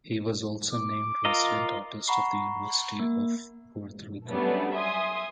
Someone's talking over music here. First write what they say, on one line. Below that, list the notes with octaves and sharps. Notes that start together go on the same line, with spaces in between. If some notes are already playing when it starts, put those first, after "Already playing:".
He was also named resident artist of the University of Puerto Rico.
D6
F4 A#4 D#5
F#5 A#5 B5 C#6 C7
A#3
F#3 G3 A3 B3 C#4 D4
E5 G#5 C6 D#6